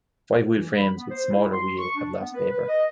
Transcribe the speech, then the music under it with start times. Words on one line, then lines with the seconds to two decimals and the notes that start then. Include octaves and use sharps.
Five-wheel frames with smaller wheel have lost favor.
0.53 E3
0.76 B5
0.96 B3
1.10 C5
1.30 E4
1.52 C6
1.78 C#6
1.96 D4
2.20 B3
2.34 B4
2.50 B4
2.68 D#5